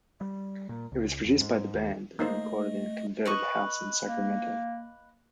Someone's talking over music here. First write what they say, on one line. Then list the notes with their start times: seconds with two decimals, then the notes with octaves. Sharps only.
It was produced by the band and recorded in a converted house in Sacramento.
0.21 G3
0.69 A#2
0.92 C#2
1.25 E2
1.40 G#2
1.74 D#2
2.19 A3 A#3 D#4 C5 D#5
3.25 B4 D#5 C#6
4.07 A#3